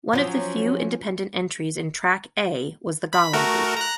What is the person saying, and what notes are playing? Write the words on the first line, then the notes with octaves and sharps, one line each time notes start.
One of the few independent entries in Track A was the Golem Group.
F3 F#3 C#4
B5
A3 F#4 A#4
A#5 F#6